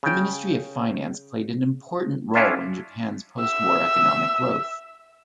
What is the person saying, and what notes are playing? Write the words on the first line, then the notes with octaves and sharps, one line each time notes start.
The Ministry of Finance played an important role in Japan's postwar economic growth.
C#3 G5
C#4 D4 E4 F4 E5
E5 E6